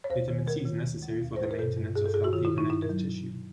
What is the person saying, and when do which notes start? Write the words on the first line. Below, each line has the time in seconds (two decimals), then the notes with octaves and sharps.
Vitamin C is necessary for the maintenance of healthy connective tissue.
0.04 C#5
0.10 D#2 C5
0.28 D#3
0.47 G#3 A#4
0.66 D#3
0.85 D#2
1.02 G#3
1.21 D#2
1.36 C5
1.40 G#3 B4
1.51 A#4
1.59 G2 A4
1.77 G2
1.95 G2 G#4
2.06 A4
2.14 G2 G#4
2.24 F#4
2.33 D#3 F4
2.45 E4
2.51 D#3
2.58 D#4
2.70 G2 E4
2.82 A#4
2.89 F#3